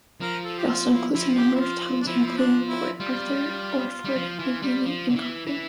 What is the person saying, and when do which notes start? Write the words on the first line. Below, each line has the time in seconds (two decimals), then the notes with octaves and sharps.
It also includes a number of towns including; Port Arthur, Orford, Nubeena and Copping.
0.21 F3 A#4
0.45 A4
0.59 G4
0.68 F4
0.91 E4
1.14 F3 E4
1.37 G4
1.55 E4
1.60 F4
2.01 D4
2.06 F3 E4
2.27 E4
2.38 D4
2.69 E4
3.00 G3 F4
4.05 G3
4.16 F3
4.39 E3
4.62 G3
4.86 F3
5.09 D3
5.15 E3
5.47 E3